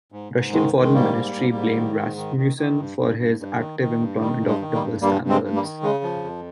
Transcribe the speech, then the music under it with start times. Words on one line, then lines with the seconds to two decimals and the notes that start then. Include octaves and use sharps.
Russian Foreign Ministry blamed Rasmussen for his active employment of double standards.
0.12 G#2
0.32 G#2
0.53 D#3 G#3
0.74 D#3
0.82 G#3
0.94 G#2 G3 A#3
1.14 G#2
1.35 G#2
1.55 G#2
1.76 D#3
1.96 G#2
2.16 D#3
2.37 D#3
2.57 D#3
2.77 G2
2.98 G2
3.18 G2
3.39 G2
3.59 D#3
3.80 D#3
4.00 G2
4.20 D#3 G3
4.40 G2
4.47 G#3
4.61 D#3
4.74 G3 A#3
4.81 G2
5.01 G2 G3 A#3
5.22 G2
5.29 G#3 C4
5.42 G2
5.56 G3 A#3
5.63 D#3
5.83 C#3 G#3
6.03 F3
6.24 F2